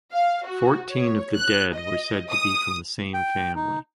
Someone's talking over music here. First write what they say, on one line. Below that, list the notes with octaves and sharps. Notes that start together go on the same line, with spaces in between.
Fourteen of the dead were said to be from the same family.
F5
F#4
C#5
F#6
D#5
D#6
G5
D#4